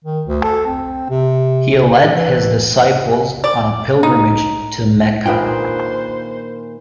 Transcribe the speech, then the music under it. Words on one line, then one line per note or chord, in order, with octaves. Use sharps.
He led his disciples on a pilgrimage to Mecca.
D#3
D2
A4
C4
C3
E3
D5
D#4
D#2 A#2 D4 F4 G#4 B4 C5 G5